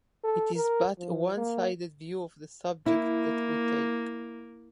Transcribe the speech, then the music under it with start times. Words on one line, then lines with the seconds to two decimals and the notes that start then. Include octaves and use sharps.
It is but a one-sided view of the subject that we take.
0.24 A4
0.55 A#4
0.99 F3
1.36 A#3
2.86 A#3 E4